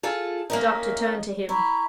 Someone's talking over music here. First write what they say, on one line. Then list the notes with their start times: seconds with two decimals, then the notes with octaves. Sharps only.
The Doctor turned to him.
0.03 F4 G#4 A4
0.50 A#3 C#4 D#4 A#4 E5
1.49 E4 A#5 B5 C#6